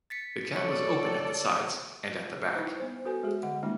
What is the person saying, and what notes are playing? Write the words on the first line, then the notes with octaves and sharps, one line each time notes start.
The cab was open at the sides and at the back.
A6 B6 C#7
A4 C#5 D5 C#6 C#7
G3 D#4 E4 B4 C5
B3 C5
F#4 A4 B4 C5 G#5
G#3 F#4 G#4
D3 G3 F#5
D#3 G#3 A#3 C#4 D#4 F4